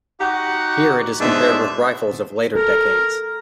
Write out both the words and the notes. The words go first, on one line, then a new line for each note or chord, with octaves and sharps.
Here it is compared with rifles of later decades.
D#4 F#4 G4 F#5
B2 G#3 D4 D#4 C5 E5
A4 A#4